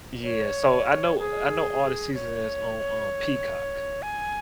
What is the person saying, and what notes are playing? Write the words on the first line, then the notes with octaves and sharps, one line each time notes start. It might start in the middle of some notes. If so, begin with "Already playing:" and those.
Yeah, so I know I know all the season is on on Peacock.
C#5
G#4
C#5
G#5